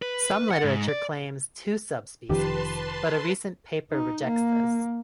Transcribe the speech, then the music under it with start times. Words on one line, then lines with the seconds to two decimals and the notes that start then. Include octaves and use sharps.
Some literature claims two subspecies, but a recent paper rejects this.
0.02 B4
0.51 F#5
0.64 G#2
0.89 D5
2.29 F1 D#3 F3 G4 B4 A5 C6
3.91 D#4
4.24 A#3